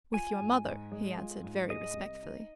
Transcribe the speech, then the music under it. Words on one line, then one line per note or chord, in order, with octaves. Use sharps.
"With your mother," he answered very respectfully.
F4 G#5
G#2
G#2
G#3
F4
G#2
G#3 D#5
C2
D#4